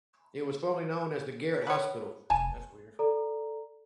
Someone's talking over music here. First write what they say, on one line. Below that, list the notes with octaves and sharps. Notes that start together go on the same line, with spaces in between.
It was formerly known as the "Garrett Hospital".
B4 C#5
F1 G#5 A5
A4 D5 A#5